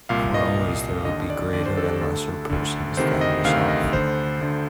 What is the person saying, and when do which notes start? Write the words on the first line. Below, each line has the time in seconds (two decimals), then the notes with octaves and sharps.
For always there will be greater and lesser persons than yourself.
0.09 C2 A#2 F5
0.34 D#5
0.57 C2 A#2
1.05 D#2 D3 D#5
1.30 D5
1.53 D#2 D3 D5
1.66 C5
1.77 A4
1.89 G4
2.01 D2 D3 A4
2.50 D2 D3
2.97 D2 C3 D#3 C5
3.21 D#5
3.44 D2 C3 D#3 F5
3.68 D#5
3.93 D2 D3 C5
4.41 D2 D3